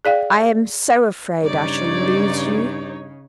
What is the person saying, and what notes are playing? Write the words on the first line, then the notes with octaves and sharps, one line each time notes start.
I am so afraid I shall lose you.
G#4 D5 F5 G5
G2 C#3 D#4 C#5 D5